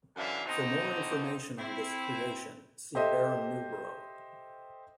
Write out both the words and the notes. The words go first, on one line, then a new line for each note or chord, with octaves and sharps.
For more information on this creation, see Baron Newborough.
F#2 D3 E3 D4 E5 F5
B2 D3 C4 D#4
C4 E4
G4 A4 C5 D#5 E5